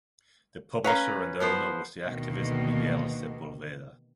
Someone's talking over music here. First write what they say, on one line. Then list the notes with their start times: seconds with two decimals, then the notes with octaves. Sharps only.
The publisher and owner was the activist Miguel Sepulveda.
0.84 C#4 B4 C#5 F5 A#5
1.40 F3 B3 C5
2.05 D2 B2 D#3 A#3